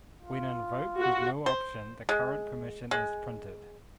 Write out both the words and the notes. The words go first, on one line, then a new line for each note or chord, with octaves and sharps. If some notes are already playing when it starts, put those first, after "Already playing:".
When invoked with no option, the current permission is printed.
F4
F#4
C5
G#3
G#3